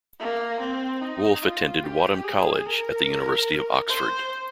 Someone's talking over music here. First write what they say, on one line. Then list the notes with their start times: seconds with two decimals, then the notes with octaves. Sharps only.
Wolfe attended Wadham College at the University of Oxford.
0.20 A#3
0.60 C4
1.01 D#4
1.43 F4
1.84 G4
2.24 G#4
2.66 A#4
3.89 C5